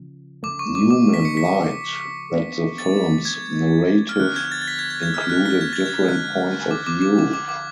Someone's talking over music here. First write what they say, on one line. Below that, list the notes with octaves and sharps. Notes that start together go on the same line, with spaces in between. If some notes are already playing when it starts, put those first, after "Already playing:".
Newman liked that the film's narrative included different points of view.
Already playing: C#3 F3 C#4
C#3 F3 A3 D6
C#6
D6
D6
B6
C#7
B6
F3 B3 D4
A6
G#6
F6
D3 F3 B3 D4 F#6
G#6
A6
A6
B6
G#6
G#6
G#6
F6
F#6
B6
G#6
A6
G#6
D3 F3 G#3 F#6
D6
D6
D6
D6
D6
D6